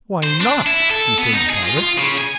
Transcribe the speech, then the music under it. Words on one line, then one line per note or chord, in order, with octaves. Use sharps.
"Why not?" returned the pilot.
C5
D4
E4
A4
B3
D#4
G#4
F4
F4
C#3
G#5